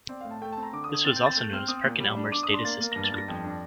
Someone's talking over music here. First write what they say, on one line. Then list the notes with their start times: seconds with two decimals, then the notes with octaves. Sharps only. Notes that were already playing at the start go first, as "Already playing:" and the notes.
This was also known as Perkin-Elmer's Data Systems Group.
0.09 C4 D5
0.21 A2 F5
0.31 A5
0.42 A3 G5
0.53 A5
0.57 C4
0.63 A#5
0.73 D3 D6
0.84 D#6
0.89 D3
0.94 D#6
1.05 C4 A6
1.16 G6
1.21 C4
1.26 A6
1.37 A3 G6
1.53 C4 F6
1.68 C4 D#6
1.84 A#2
2.00 G3
2.17 D4
2.32 D4 D6
2.43 D#6
2.48 D4
2.54 C6
2.64 A#3 A6
2.80 A#3
2.92 G2 A#6
3.04 A6
3.12 G2
3.17 A#6
3.28 F2
3.44 D4